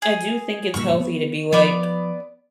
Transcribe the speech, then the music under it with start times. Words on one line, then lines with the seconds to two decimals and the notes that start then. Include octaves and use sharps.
I do think it's healthy to be like,
0.02 G#4
0.74 F#1 G2 A#2 C#6 E6
1.00 B3
1.53 F3 B3 D5